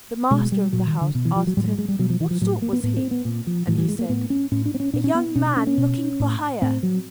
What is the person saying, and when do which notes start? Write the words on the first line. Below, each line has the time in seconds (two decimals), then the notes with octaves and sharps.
The master of the house asked him what sort was he, and he said: "A young man looking for hire."
0.31 B2 G#3
0.52 G3
0.73 A#2 F#3
0.87 D#3
1.01 D3
1.15 B2
1.25 E3
1.36 F3
1.47 F#3
1.57 A2 G3
1.64 F#3
1.68 G3
1.78 G#3
1.88 G3
1.99 B2 F#3
2.10 F3
2.20 E3
2.31 F3
2.41 A2 F#3
2.62 A#3
2.73 B3
2.83 A2 B3
2.97 C4
3.11 B3
3.25 A#2
3.47 F3
3.67 A2 E3
3.78 E3
3.88 G#3
3.99 A#3
4.09 A2 B3
4.30 C#4
4.52 A2 C#4
4.65 D4
4.74 C4
4.80 C#4
4.94 A#2 D4
5.04 C#4
5.15 B3
5.35 B2 C#4
5.47 D4
5.57 C#4
5.67 C#4
5.78 B2
6.20 A2
6.62 A2 C4
6.83 F#3